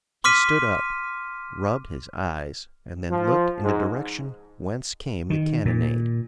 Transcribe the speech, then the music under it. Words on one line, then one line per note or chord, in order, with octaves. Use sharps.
He stood up, rubbed his eyes and then looked in the direction whence came the cannonade.
C6 D6 F6 B6 D#7
F3
G#2
D#3
A#2